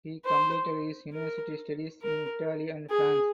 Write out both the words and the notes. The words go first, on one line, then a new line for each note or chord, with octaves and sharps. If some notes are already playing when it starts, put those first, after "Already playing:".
He completed his university studies in Italy and France.
C5
A#4
A#4
G#4